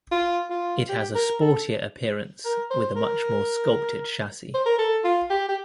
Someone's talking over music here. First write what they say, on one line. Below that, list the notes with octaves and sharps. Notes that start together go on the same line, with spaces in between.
It has a sportier appearance, with a much more 'sculpted' chassis.
F4
F4
G4
A#4
A4
A#4
C5
A#4
C5
A#4
A4
F4
G4
G4